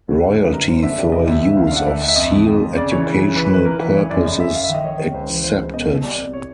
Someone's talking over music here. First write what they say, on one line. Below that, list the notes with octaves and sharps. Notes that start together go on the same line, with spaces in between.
Royalty for use of seal-Educational purposes excepted.
D#2
D3
F#2 B4
D3 A#4
F#2 C5
D3 E5
C3 D5
E3 D#5
D2 E5
D2 E5
D2 F5
F5
D3 F#5
D2 E5
D2 D#5
E5
F2 D#5
E3
F2
F2
C#3 D5
E3 C#5
C#3
C#3
E3 B4
E3 B4
E3 A#4
E3 B4
E3 C#5
F#2 D5
C#3 D#5
F#2 E5
F#2 F5
E5
D#3
D#5
D#3 C#5
D#3
C#2 C5
E3
C#2 C5
C#2
B2 D#5
B2
C2 D5
C2
C#5